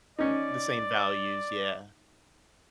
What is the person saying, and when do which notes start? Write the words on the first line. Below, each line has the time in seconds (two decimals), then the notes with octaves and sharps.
The same values. Yeah.
0.19 C#4 D#4 D5